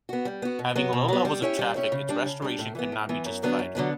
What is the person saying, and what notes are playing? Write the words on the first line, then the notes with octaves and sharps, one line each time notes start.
Having low levels of traffic its restoration could not be justified.
B3 F#4
G3
B3 F#4
B2
F#3 B3
B2
F#3 B3
G3
C#4 E4 G4 C#5
G3
C#4 E4 G4 C#5
C#3
G3 D4
C#3
G3 D4
A2
E3 B3
A2
E3 B3
F#2
D3 F#3 B3 D4
F#2
D3 F#3 B3 D4